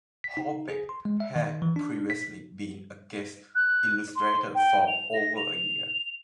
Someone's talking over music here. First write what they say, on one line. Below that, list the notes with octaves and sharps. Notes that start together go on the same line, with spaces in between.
Hallbeck had previously been a guest illustrator for over a year.
B6
D#4
G#4
C6
G#3
E5
D#3
E3
D4
B6
F#6
C6
G5
F7
A#6
F7